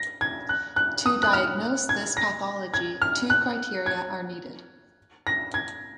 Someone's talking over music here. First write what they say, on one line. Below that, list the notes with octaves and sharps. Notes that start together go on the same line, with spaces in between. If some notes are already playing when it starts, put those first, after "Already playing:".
To diagnose this pathology, two criteria are needed.
Already playing: A#6
G#6
F#6
F#6
D#6
F#6
F6
G#6
A#6
G#6
F6
F#6
G#6
A#6
G#6